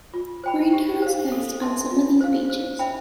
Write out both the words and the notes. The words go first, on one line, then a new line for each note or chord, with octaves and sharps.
Marine turtles nest on some of these beaches.
F4
C5 G5 B5
G4
C5 F5
A4
E5 A5 C6
F4
C5 F5
C5
E5 G5 B5